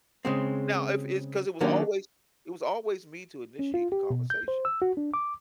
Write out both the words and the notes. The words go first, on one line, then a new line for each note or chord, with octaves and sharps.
now if it's 'cause it was always it was always me to initiate the conversation.
C#3 G#3 C4
D#3 F#3 A#3 C#4 D4 G4
C#4
F4
G4
B2
G6
C5
E6
F#4
D4
D6